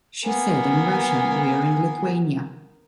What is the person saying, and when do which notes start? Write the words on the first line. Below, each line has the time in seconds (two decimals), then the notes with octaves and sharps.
She said, I'm Russian, we're in Lithuania.
0.24 A#3 B3 G#5